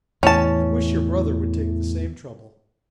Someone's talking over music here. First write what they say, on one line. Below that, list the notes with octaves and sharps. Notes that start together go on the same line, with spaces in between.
I wish your brother would take the same trouble.
E2 A2 E3 C#4 A5